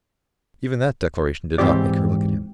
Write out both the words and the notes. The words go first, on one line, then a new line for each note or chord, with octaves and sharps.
Even that declaration did not make her look at him.
G#2 E3 C4 G4 D5